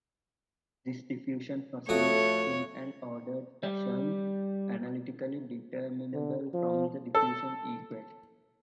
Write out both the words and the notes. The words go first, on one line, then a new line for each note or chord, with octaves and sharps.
This diffusion proceeds in an ordered fashion, analytically determinable from the diffusion equation.
F2 A3 F#4 C#5 D#6
G3
D3
F3
A4